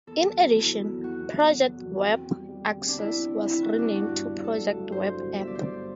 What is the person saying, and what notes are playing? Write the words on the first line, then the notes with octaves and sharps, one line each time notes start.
In addition, "Project Web Access" was renamed to "Project Web App".
E2 A4
F#3
E2
F#3 E4
F#3
E2
F#3 F#4
E2
E2
F#3
F#3
E2
C4
C4
G3
G3
D3
C4
D4
C4 E4
C4
C4
D3 E4
E2 F#4
G3 D4
G2 F#4
G1
G1
G1 A4
F#3
G2
F#3 C5
F#3
G1
G1 E5
D5
G1 C5
D5